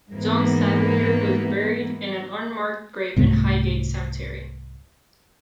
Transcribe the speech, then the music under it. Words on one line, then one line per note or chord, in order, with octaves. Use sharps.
John Sadleir was buried in an unmarked grave in Highgate Cemetery.
G#2 E3 A#3 B3
C2 G#2 A3 B3